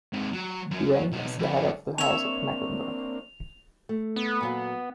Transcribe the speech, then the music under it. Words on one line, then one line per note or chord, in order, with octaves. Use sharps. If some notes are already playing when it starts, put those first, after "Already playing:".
He reigned as the head of the House of Mecklenburg.
G#2 C3
F#3
F#2 F#3
B1
F2 B3
A#3 C4 D4 C#5 E5 F7
A3
B3
A#2 F#3 F5